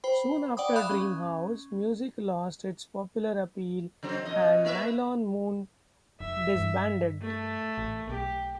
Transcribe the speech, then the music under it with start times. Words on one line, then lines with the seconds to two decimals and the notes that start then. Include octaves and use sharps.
Soon after, dream house music lost its popular appeal and Nylon Moon disbanded.
0.04 C5 G5 B5
0.57 D5 F#5 G5 B5 D6 D#6
0.76 E5 F5 B5 D#6 F#6
0.91 C#4
4.03 C#3 F#3 C4
4.25 F2 B2 D#5
4.66 A#3 B4 E5
6.20 F1 E5
6.56 G2
7.21 A3
7.78 A1
8.10 B1 G4